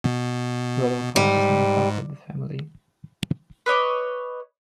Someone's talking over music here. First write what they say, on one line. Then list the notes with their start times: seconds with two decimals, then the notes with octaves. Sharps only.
Rollo Park is named after the family.
0.04 B2
1.16 G#2 G3
3.66 B4 C#5 D#5 D6